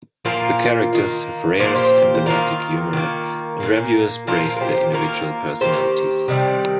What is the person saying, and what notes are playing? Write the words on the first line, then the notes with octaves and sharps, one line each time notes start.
The characters have Rare's emblematic humor, and reviewers praised their individual personalities.
A#2 F3 A#3 F4 A#4
D#3 A#3
A#2 F3 A#3 C5
G4 C5
C5
D#3 A#3 F4 A#4
D#3 A#3
A#2 A#3
A#2 F3 A#3 F4 A#4
A#4
G4 C5
D#3 A#3 F4 A#4
D#3 A#3 G4 C5
C3 D#3 G3